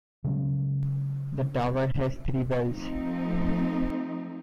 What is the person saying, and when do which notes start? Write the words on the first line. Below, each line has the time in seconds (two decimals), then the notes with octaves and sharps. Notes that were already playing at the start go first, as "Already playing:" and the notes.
The tower has three bells.
0.24 C#3 F#3 G#3 C#4
2.65 F3 A3 C4 D#4